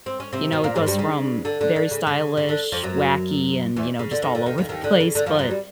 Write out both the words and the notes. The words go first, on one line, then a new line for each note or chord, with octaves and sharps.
you know, it goes from very stylish, wacky, and, you know, just all over the place, but
C4
C#4
C3 C4
B2 B3
A#2 A#3
G#2 G#3
G2 G3
C#3
D3
D3
D3
C#3
C#3
C#3
D3
F2 F3
F#2 F#3
E2 E3
C#3
D3
D#2 D#3
D3
D#2 D#3
D#2 D#3
D#2 D#3
D3
C#3
D3
F2 F3
F#2 F#3
G3